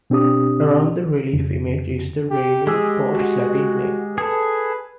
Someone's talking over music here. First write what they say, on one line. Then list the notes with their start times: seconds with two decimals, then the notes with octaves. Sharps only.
Around the relief image is the reigning Pope's Latin name.
0.10 B2 C4 D4 G4 D#6
1.33 F2 C#3
2.30 G4
2.67 G#3 G4 G#4 E6
3.07 F#4
4.18 G#4 A4 B4